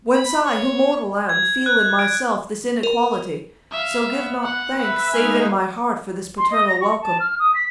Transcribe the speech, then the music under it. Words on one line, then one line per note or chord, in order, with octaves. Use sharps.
Whence I, who mortal am, feel in myself This inequality; so give not thanks, Save in my heart, for this paternal welcome.
B5
C#5
G#6
F#6
D7
A#4
E5 F5
B3
F#5
B4 E5
G#3 A#3 D#4 G#5 F6
C6
D#5
A#6
C#6
A5
F6
D#6
B6